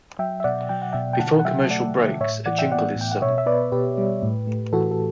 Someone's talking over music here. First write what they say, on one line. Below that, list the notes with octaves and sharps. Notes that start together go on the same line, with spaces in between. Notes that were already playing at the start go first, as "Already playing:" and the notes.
Before commercial breaks, a jingle is sung.
F#3 E5 G5
E5
B2 D5 F#5
F#3 G5
F#5
B2 E5 G5
G5
D3 F#5 A5
F#5
F#3 E5 G5
A3 D5 F#5
D3
A2 C#5 E5
E3 D5 F#5
E5 G5
B3 D5 F#5
A2
G5
F#5
B2 C#5 E5
E5
B3 B4 D5
B2 G4 B4
G3
A2
A3
E3 F#4 A4
A4